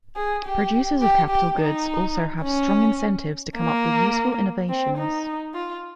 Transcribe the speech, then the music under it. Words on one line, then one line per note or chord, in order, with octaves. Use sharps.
Producers of capital goods also have strong incentives to come up with useful innovations.
G#4
G4
G4
G4
D#4
C#4
A#3
C4
D#4
F4